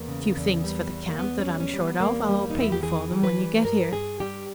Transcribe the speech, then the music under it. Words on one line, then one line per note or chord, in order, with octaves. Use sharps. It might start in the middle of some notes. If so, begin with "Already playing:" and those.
A few things for the camp that I'm short of; I'll pay you for them when you get here.
Already playing: E2 A#3
C#3
E2
G3
E2
A#3
E2 B3
C#4
G3
C#4
G3
B3
E2 A#3
G3
D#4
E2 E4
G4
E3 G#4
E3
B4
G3
G2 A#4
G2 G#4
G3 G4